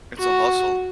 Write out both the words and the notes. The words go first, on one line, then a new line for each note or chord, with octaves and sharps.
It's a hustle,
F#4